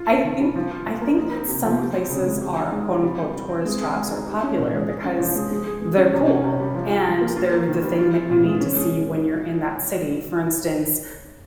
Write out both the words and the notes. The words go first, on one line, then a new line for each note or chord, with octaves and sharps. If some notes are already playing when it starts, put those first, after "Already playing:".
I think I think that some places are quote unquote "tourist traps" are popular because they're cool, and they're the thing that you need to see when you're in that city. For instance,
Already playing: F4
C4
D#3
G3
F3
F4
F3
A#3
D#4
C4
C3
F3
G4
C4
C#3
G#3
G4
D#4
G#3
C4
G3
G4
G3
C4
G#3
G#4
G#3
D#4
G4
C#4
A#2
G#3
G#4
C#4
F3
G#3
G#3
G#4
G#3
C#4
C3
C#4
C3
G3
F3
F4
F3
A#3
F4
A#3
D#3
G3
F4
C4
A#2
G#3
C#4
G#3